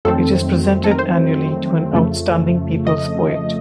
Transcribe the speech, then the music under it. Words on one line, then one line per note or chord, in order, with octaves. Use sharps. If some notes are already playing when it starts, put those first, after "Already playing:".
It is presented annually to an outstanding people's poet.
F2 D#3 F#3 A3 C4 A4
A4
A#4
C5
F2 C#3 F3 A3
D#5